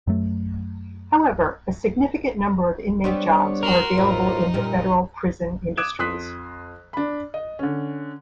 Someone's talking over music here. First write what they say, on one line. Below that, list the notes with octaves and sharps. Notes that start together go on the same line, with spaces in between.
However, a significant number of inmate jobs are available in the Federal Prison Industries.
F#2 F#3 A3
G3 B3 C4 D4 C#5
F#4 A#4 C6
A2 D#4 F4 C5
F#2 A#2 G3 A#4
D6 D#6 F#6 G#6 D7 E7
F2 C6 D#6 F#6 B6
D4 B5
D#5
D3 C#4